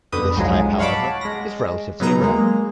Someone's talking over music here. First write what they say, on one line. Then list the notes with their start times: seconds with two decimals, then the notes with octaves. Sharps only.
This type, however, is relatively rare.
0.12 F2 B2 D3 B4 D#6 G6
0.36 C2 G#2 F3 F#3 G#3
0.79 C#5 F5 F#5 A5 B5 D6
1.21 G#3 A#6
2.00 C#3 F#3 B3 D#4 A#5
2.22 G#3 A#3